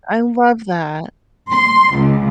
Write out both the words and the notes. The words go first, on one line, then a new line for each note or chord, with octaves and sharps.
I love that.
C6
C#2